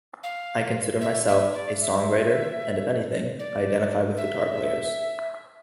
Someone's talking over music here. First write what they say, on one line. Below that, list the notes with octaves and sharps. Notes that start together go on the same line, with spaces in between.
I consider myself a songwriter, and if anything, I identify with guitar players.
F5
E5
E5
D5
E5
D5
E5